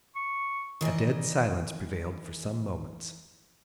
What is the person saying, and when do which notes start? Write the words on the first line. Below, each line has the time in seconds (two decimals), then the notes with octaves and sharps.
A dead silence prevailed for some moments.
0.16 C#6
0.81 D#3 E3 D5 D#5